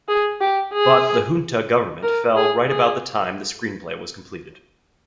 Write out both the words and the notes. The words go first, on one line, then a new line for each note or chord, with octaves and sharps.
But the "junta" government fell right about the time the screenplay was completed.
G#4
G4
G#4
A#4
G#4
G#4